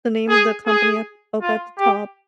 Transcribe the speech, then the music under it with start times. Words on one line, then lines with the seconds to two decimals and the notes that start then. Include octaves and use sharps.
the name of the company up up at the top
0.29 G#4
0.66 G#4
1.41 F4
1.78 G4